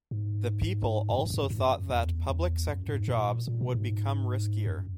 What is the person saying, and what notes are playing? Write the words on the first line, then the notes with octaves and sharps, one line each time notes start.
The people also thought that public sector jobs would become riskier.
G#2
F#2
G#2
F#2
G#2
F#2
G#2
F#2
E2
E2
F#2
G#2
A#2
A#2
B2
G#2
F#2